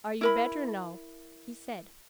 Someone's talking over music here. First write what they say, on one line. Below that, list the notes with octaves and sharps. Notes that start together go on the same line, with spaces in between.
'Are you better now?' he said.
E4 A#4 B5